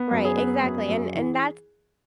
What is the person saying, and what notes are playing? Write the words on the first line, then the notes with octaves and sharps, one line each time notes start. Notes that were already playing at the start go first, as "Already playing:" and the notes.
Right, exactly, and and that's
Already playing: B3
F#2
G#4
B3
F#2
F#2
E3